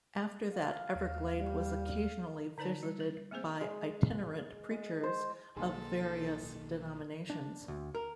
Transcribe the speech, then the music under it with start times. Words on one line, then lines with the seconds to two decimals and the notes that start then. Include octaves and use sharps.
After that Everglade was occasionally visited by itinerant preachers of various denominations.
0.52 F5
0.95 D#2
1.37 G3
2.58 D3 D#4 B4 D5 A5
2.83 G3
3.00 B4
3.31 A3 A#3 C4 G#4 C5
3.61 G#3
4.71 G#3
5.03 C5
5.56 B1 D#3 A#3 G#4 A4 G#5 C6
7.30 D4
7.68 D2
7.95 A#4